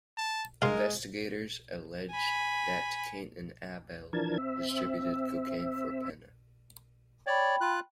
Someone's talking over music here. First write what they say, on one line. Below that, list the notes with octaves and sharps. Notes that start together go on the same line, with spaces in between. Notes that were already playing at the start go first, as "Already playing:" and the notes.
Investigators alleged that Kane and Abel distributed cocaine for Pena.
A5
G#3 A#4 F5 C6
G#5 B5
E3 F3 D4 A#4 A5 G#6
C4 E5
C#5 D5 G5 B5
F4 F#6